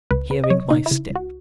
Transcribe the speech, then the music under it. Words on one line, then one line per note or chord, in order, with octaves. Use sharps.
Hearing my step!
C#2 B4
C#3 B4
D#5
F#3 C#5
C#3 D#4
E4
C#3
C#2
F#4